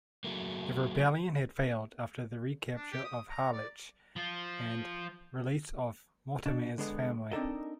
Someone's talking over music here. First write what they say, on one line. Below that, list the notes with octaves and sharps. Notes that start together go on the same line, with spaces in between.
The rebellion had failed after the re-capture of Harlech, and release of Mortimer's family.
F#3 A3 A#3
D4
G4
D#6
A#5
D5
F3 F4
B2 D4
D3 G#3 B3
C4 D4 D#4 A4 A#4 D#5